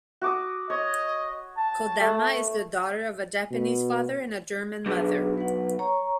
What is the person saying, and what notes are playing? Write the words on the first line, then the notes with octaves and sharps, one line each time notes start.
Kodama is the daughter of a Japanese father and a German mother.
F#4 D6 D#6
C#5 D#5
A5
A3
B2
B1 D4 G#4 B4
B4 F#5
C#5 A#5 C#6